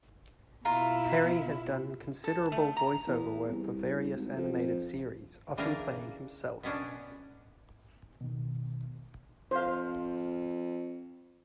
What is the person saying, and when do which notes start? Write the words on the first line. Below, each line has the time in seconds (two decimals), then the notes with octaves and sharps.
Perry has done considerable voice-over work for various animated series, often playing himself.
0.65 B2 E4 F4 F5 A#5
2.24 A4
2.52 A3
2.77 A#5
3.07 E2
3.49 C2
4.16 G#1
4.36 F2
4.52 F2
5.57 C#3 E3 A#3 D4 A#4 F5
6.63 B2 B3 C#4 D4
8.21 B2 D#3
9.51 F2 C5 F5